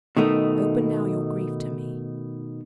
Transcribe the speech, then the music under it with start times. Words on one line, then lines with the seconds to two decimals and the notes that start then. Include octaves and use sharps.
Open now your grief to me.
0.17 B2 D#3 A3 D#4